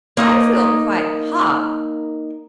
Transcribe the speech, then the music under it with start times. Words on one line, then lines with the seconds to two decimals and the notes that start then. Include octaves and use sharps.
I feel quite hot.
0.17 A#3 D#4 D#5